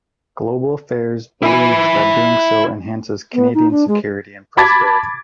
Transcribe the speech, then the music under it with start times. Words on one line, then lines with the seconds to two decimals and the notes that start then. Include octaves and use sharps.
Global Affairs believes that doing so enhances Canadian security and prosperity.
1.43 E4 G#5
3.33 B3
3.54 D#4
3.71 D4
3.87 G#3
4.57 A5 B5 D6 G#6 A6 B6